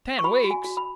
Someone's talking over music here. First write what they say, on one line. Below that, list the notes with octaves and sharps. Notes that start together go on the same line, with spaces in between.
"Ten weeks!"
C#6
F#4 B5
F#4
G#5
F#4
B5